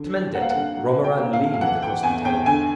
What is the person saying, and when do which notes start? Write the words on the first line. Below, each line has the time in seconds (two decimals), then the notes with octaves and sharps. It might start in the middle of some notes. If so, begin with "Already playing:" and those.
To mend it, Romarin leaned across the table.
Already playing: D3
0.13 G3
0.34 A#3 F#5
0.42 F5
0.50 D3 F#5
0.77 F#3
0.98 F#3
1.04 G5
1.18 A#3
1.33 F5
1.40 F2
1.54 F5
1.61 E3 F#5
1.82 E3 G5
2.03 E2 G#5
2.24 E2 G5
2.46 D3 G#5